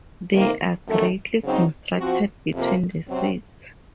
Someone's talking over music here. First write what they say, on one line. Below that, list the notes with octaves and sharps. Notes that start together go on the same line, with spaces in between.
They are greatly constricted between the seeds.
C3 D#3 A#3 D#4
F#2 D#3 A3
C#3 F#3 C4 D#4
F3 C4 F#4
F2 C3 F3 A#3
C3 F#3 C4